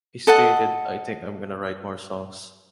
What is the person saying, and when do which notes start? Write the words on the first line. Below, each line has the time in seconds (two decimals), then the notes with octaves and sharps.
He stated, "I think I'm gonna write more songs".
0.27 A4 D#5 F#5 A5